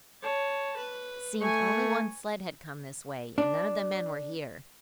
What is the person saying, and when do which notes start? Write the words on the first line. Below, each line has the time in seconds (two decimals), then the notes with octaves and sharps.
It seemed only one sled had come this way and none of the men were here.
0.22 C#5 A5
0.77 B4
1.41 A3 G#5 C#6
3.38 D4